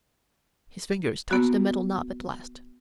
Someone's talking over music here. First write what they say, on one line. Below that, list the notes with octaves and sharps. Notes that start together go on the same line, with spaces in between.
His fingers touched the metal knob at last.
A#3 B3 F#4